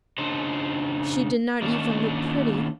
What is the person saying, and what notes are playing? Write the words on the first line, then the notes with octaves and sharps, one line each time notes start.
She did not even look pretty!
C#3 D4 D#4 C5
D#3 A#3 C#4 D4